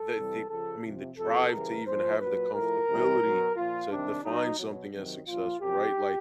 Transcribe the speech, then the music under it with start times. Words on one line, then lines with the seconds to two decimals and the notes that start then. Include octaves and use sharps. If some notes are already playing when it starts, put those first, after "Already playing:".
the the, I mean, the drive to even have the comfortability to define something as successful, right, like,
Already playing: A4
0.14 C3 E3 G3
0.49 C#3 F3 A4
0.83 C3 F3
1.17 C3 F3 A4
1.51 C#3 E3 G3 A#4
1.85 A#2 F3 C5
2.19 A#2 F#3 B4
2.54 A2 F3 A#4
2.88 C3 E3 G3
3.22 B2 F#3
3.56 A#2 F3 F4
3.90 C3 D#3 G3 D4
4.24 B2 F#3 D#4
4.58 B2 F#3
4.92 C3 D#3 F#3
5.27 A#2 F3 F4
5.61 C3 F3 G4